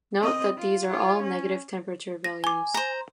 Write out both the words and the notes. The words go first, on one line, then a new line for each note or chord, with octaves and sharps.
Note that these are all negative temperature values.
C4 D#5
F4
F4 C#5
C#4
A#6
G#5 D6 G7
C5 A#5